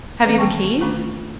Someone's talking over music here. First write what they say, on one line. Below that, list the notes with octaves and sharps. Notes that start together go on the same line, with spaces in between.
"Have you the keys?"
E3 C4 C#4 B4 A#5
D#3 G3 A#3 G5 A5 C#6
D#3 A3 C#4 D4 F4